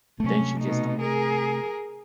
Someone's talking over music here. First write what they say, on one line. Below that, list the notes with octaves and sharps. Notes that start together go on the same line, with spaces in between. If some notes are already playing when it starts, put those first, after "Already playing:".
And then she kissed him.
C3 F#3 A3 C#4
B2 D#4
G#4 A#4